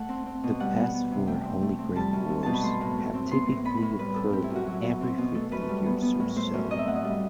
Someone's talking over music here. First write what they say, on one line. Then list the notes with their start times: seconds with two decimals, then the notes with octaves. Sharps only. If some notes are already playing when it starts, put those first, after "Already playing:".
The past four Holy Grail Wars have typically occurred every fifty years or so.
Already playing: A3 F#5 A5
0.09 C4
0.26 C4
0.43 B2
0.60 G3 F#5
0.77 B3
0.94 B3
1.11 C3
1.27 A3 G5
1.44 C4
1.62 A3
1.78 C4
1.96 G3 A5
2.13 F#2
2.30 C4
2.43 B2 A5
2.53 B5
2.63 A3 C6
2.81 A2
2.98 A3
3.14 C4
3.31 B3 C6
3.48 A2
3.65 B3 B5
3.77 B5
3.82 A2
3.99 G3 B4
4.16 C4 A4
4.32 C4 G4
4.44 E4
4.50 F#2
4.56 F#4
4.66 F#3 F#4
4.84 B3
5.01 C4
5.18 B2
5.35 A3 A4
5.51 F#2 B4
5.69 G3
5.86 B3
6.02 B3
6.20 A2
6.36 A3 C5
6.53 F#2
6.70 C4 D#5
6.79 E5
6.88 A2 F#5
6.95 D#5
7.05 G3